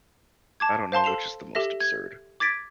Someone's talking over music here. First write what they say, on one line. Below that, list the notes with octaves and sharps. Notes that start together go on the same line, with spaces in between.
I don't know which is the most absurd.
A5 D6 G#6
C5 F5 A5 C6
A4 C7 E7 F7
G4 A4 E5 A#6
G#6
D6 G#6 A6 B6 D7